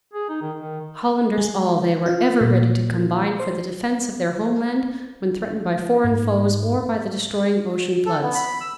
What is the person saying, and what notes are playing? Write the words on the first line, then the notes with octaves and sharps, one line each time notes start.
Hollanders all, they were ever ready to combine for the defence of their homeland when threatened by foreign foes or by the destroying ocean floods.
G#4
D#4
D#3
D#3
G#3
F4
A#2
C5
G#2
A4
B3
B5
E6